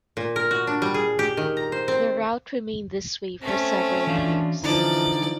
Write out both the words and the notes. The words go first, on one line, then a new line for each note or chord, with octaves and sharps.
The route remained this way for several years.
A#2
A#4
F#4
D4
G3
G#4
G4
D#3
A#5
C5
C4
A3 C4 C#4
E3 D4 F5
D3 E3 F3 D#4 D5